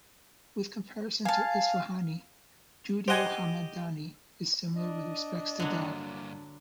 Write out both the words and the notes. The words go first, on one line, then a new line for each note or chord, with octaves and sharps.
With comparison to Isfahani, Judeo-Hamadani is similar with respects to dog.
F5 G#5 A5
G4 C5 D#5 F#5 G#5
D4 D#5
G2 D3 F#3 A#3